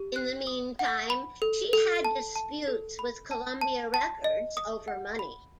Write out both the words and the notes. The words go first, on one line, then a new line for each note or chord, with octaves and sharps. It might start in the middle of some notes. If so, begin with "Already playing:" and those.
In the meantime, she had disputes with Columbia Records over money.
Already playing: G4
F#6
D#6
F#5
B5
A4
A4
A5
A5
A4
B5
A5
A5
A5
D#5
D#6
F#5
B5